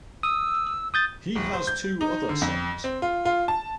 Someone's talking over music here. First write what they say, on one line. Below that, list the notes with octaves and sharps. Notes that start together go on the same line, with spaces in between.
He has two other sons.
D#6 E6
D#6 G6 A6
D#1
C5
G6
D#4
D3
F2
C4
F4
F4
A5